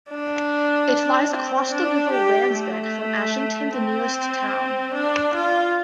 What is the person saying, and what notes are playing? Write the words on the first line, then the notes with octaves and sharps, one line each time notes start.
It lies across the River Wansbeck from Ashington, the nearest town.
D4
C4
D4
G4
A3
C4
D4
F4